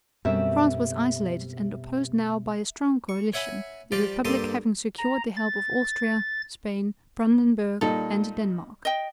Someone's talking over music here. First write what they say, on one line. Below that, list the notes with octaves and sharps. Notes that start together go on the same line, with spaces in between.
France was isolated and opposed now by a strong coalition, the Republic having secured the help of Austria, Spain, Brandenburg and Denmark.
F#2 B2 G3 A3 B3 C4 E5
C#6
C#5 E5 F#5 G#5 B5
F3 G3 F4 G4 D5
G2 A#3 G4 A4 C5 D#6
A#5
A6
A#2 G3 D#4 A4
D#5 G5